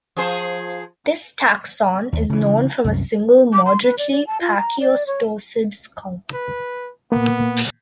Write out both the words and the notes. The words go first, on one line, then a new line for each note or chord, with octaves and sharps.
This taxon is known from a single, moderately pachyostosed skull.
F3 G#4 C5
D#2
C#3 E3
C2 F#2
D6
C6
B4
D5
D5
A5
F4
A#5
D5
C#5
B4
A#2 A#3 B3